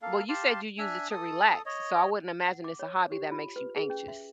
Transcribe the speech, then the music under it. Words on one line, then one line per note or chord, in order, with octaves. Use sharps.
Well, you said you use it to relax, so, I wouldn't imagine it's a hobby that makes you anxious.
A#3 A4 F5
G4 F5 A5 C6
D4 E5 G#5
A4 D#6
C#5 D#5
F#5
D6
C#5
G4
F4
B4
G#4
C#4
E5